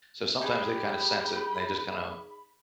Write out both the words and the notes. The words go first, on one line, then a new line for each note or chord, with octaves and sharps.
so, sometimes they, kinda sense it, and they just, kinda
D#4 G4 G#4 B4 B5